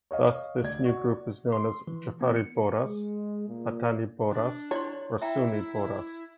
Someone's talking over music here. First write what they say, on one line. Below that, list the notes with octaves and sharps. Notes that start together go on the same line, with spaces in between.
Thus this new group is known as Jafari Bohras, Patani Bohras or Sunni Bohras.
C#5 D#5 F5
D2 D5 G#6
F#4 D5
C6
E3
B3
C#7
G#3
A#2
D4
E4 C#5 D5 C6
E4 E5 G5 A#5